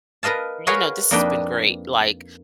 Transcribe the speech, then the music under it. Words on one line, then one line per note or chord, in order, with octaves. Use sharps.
you know, this has been great, like,
A#4 B4 D#5 F5 A5
F#4 G#4 A#4 B4 C#5 F5
F2 A#3 D4 D#4 B4 G5